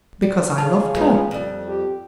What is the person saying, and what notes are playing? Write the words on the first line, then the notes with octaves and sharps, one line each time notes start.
"Because I loved her."
G3
C#3 F5 A5
F3 G#3 B3
F2 G3
G4